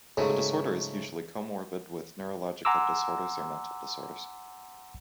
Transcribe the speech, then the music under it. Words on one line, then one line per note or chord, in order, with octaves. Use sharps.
The disorder is usually comorbid with neurological disorders or mental disorders.
G#2 C#3 F#3 G#3 A3
F#5 G#5 A#5 C6 D6 E6